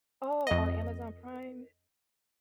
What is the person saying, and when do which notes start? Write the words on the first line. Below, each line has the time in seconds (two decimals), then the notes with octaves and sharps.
Oh, on Amazon Prime?
0.47 F2 D#5